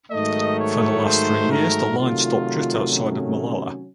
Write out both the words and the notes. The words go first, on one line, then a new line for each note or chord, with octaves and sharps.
For the last three years the line stopped just outside of Molalla.
G#2 D#3 F#3 A3 D#5
C#5
C5
A#4
C3 D#3 F#3 A3 F4
C#4